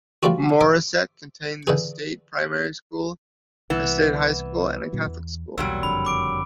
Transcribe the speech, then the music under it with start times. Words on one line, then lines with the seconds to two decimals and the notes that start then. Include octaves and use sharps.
Morisset contains a state primary school, a state high school and a Catholic school.
0.23 F3 G3 A3 D4 F4 F#4
0.61 C5 E5 D6
1.67 D3 E3 G#4
3.70 C2 E3 B3
4.93 A#2 D3 F#3
5.07 E2
5.58 B1 E2 A#2 F#3 G3 E6
5.83 F#1 F2 D3 B5
6.05 B5 D6 D7